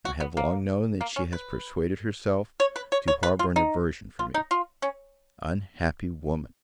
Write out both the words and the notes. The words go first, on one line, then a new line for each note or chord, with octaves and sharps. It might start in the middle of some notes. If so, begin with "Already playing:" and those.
I have long known that she has persuaded herself to harbour an aversion for me-Unhappy woman!
F#4
B3
A#3
A#3
C#4
B4
C#5
B4
C#5
C#5
B4
F4
D#4
F4
D#4
F4
C#4